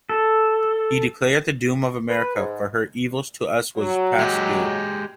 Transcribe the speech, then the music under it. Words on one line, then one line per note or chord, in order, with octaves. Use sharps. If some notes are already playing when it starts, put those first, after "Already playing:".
He declared the doom of America, for her evils to us was past due.
A4
B4
G#2
F#3
G#3 G4